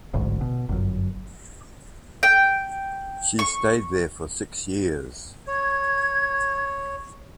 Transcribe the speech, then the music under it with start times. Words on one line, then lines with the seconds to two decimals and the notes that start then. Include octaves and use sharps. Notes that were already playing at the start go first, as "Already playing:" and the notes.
She stayed there for six years.
0.14 D1 A1 D2 G#2
0.41 B2
0.69 G1 F#2
2.23 G5
3.39 C#6
5.47 C#5 G#6